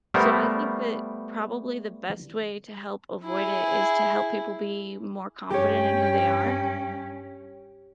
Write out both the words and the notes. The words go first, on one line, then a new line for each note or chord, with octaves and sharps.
so, I think that probably the best way to help avoid it is to help people be more confident in who they are,
G3 A3 B3 A#4 C5
E4 G#4
G2 C#4 G4 C#5 G5